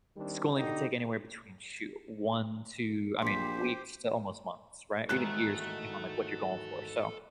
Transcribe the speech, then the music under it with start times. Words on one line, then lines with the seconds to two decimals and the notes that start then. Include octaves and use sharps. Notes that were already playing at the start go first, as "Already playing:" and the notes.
schooling could take anywhere between, shoot, one to I mean, weeks to almost months, right? Even years, depending on, like, what you're going for, so,
0.17 D#3 G3 C4 D4
0.56 B2 D3 D#4 G4
3.22 A#1 G4 C5 C6 B6
5.09 E2 G#2 D#3 F#4 A4 E5 F#6